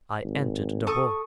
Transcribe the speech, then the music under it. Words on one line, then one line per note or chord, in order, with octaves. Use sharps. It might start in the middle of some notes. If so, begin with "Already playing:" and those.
I entered the hall.
G#1
A4 C#6 D#6